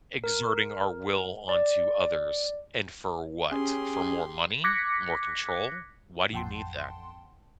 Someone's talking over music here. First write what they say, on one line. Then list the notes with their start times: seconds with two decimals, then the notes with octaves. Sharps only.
Exerting our will onto others, and for what? For more money? More control? Why do you need that?
0.24 A#4
1.49 D5
3.51 C#4 G4 G#4 C6
4.64 D6 F#6 G#6 A#6 B6 C#7
6.33 A1 F2 F#5 G5 A5 C6